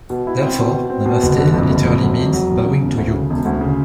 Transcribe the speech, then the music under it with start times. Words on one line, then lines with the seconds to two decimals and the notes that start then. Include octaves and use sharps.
Therefore, Namaste literally means "bowing to you".
0.10 B2
0.27 E4
0.42 C4
0.59 B2
0.74 B2
0.90 C4
1.06 B2
1.23 F#1
1.38 D3
1.54 F2
1.70 F#1
1.85 F2
2.02 F#3
2.18 F2
2.33 F#3
2.50 E1
2.66 C#3
2.82 E1
2.97 D2
3.14 C#3
3.30 E1
3.45 D2
3.61 C#3